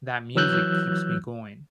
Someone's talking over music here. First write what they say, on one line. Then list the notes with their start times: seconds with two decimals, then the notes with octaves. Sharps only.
that music keeps me going.
0.35 E3 F#3 E6 F#6 G6